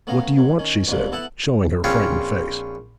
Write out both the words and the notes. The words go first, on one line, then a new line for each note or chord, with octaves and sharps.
'What do you want?' she said, showing her frightened face.
A3 B3 C#4 F5 A#5
A#1 F#3
D#3 C#4
C#2 G#2 C3 F3 G3
B3 E4 A4 E5 F#5 A5
A#1 C4 C#4 F4 F5